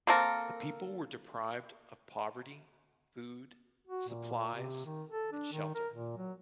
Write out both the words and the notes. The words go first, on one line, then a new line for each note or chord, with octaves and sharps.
The people were deprived of property, food, supplies and shelter.
A#3 C4 A4 A#4
F#4
A#2
C3
D#3
A4
D4
D#3
A#4
A#2
F#3